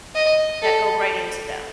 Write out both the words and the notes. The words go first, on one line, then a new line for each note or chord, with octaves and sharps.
that go right into them,
D#5
A4